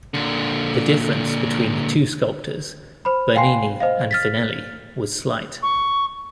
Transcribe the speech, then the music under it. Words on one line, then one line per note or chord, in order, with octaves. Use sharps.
The difference between the two sculptors, Bernini and Finelli, was slight.
A#2 D3
C5 B5
F5 G5 G#5 C6 C7
C5 D#5 F5
F6 A6 B6
C#6